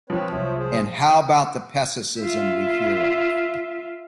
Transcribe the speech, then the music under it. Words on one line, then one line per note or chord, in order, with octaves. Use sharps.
And how about this pessimism we hear of?
F3 C4 B4 C#5
C2 F#3 C5 C#5 E5
G#4 C5
F4 E5